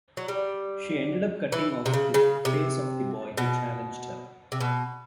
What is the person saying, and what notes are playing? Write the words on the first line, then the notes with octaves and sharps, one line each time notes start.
She ended up cutting off the face of the boy who challenged her.
F#3
G3
E3
C3
C#3
C#3
C3
B2
C3
B2